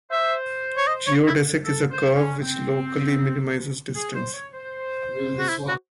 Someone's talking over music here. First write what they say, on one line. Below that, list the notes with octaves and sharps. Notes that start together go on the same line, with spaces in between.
Geodesic is a curve which locally minimizes distance.
C5 E5
C#5
D#5
C#5
E4
A4
C5
C#4
C4
G#4
C5
C#5
C5
F#4
E4
F#4